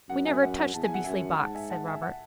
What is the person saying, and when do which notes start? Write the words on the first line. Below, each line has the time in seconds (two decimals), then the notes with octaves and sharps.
'We never touched the beastly box,' said Robert.
0.10 F#2 F#5
0.26 E5 G#5
0.42 F#5
0.58 F#5
0.74 E2 A5
0.84 G#5
0.94 F#5
1.04 F#2 E5 G#5
1.38 G#2 F#5 A5
1.55 E5 G#5
1.70 F#5 A5
1.86 E5 G#5
2.02 F#5